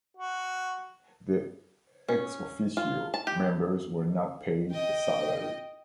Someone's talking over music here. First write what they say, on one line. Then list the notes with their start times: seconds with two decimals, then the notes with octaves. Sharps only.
The "ex officio" members were not paid a salary.
0.17 F#4
2.08 C#4
2.77 F4
3.14 A5
3.27 G4
4.71 D#5 G5